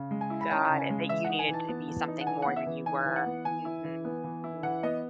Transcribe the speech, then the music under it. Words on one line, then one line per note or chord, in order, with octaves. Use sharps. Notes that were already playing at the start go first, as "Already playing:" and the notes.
Got it, that you needed to be something more than you were, mhm, mm.
Already playing: C#3
G#3
G#5
E4
B5
C#4 A5
C#3 A5
G#5
G#3
E3 E5
F#5
D#4
G#5
E3 A5
B3
E3
D#4
F#5
E3 G#5
B3 F#5
E5
E3
D#4 G#5
E3
F#5
B3
E3 G#5
E4
E3
B3
E3
E4
E3 F#5
B3 D#5